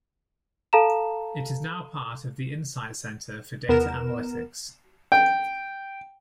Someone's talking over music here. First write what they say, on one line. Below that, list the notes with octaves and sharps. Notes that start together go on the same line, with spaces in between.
It is now part of the Insight Centre for Data Analytics.
A4 F5 A5 A#5 E7
E2 B3 A#4 E7
G5